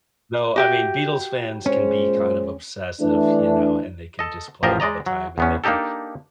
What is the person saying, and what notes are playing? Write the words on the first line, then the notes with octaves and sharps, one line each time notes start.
No, I mean, Beatles fans can be, kind of, obsessive, you know, and they can, just, play it all the time, and they can
F#4 G4 E5
A#2 G#3 C#4 C5
E3 A3 D4
A4 D#5
A1 F3 G4 A#4 C5 D#5
G#3 D5 D#5 A#5
F#3
E2 B3 C#4
A#3 D4 D#4 G4 A4